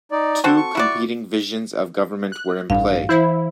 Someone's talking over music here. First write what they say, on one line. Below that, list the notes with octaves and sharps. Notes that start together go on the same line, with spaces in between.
Two competing visions of government were in play.
D#4 D5
C4 F#4 A4
C#6
E4 F#4 D5
F#6
A1 G2 F5
E3 E4 C5 B5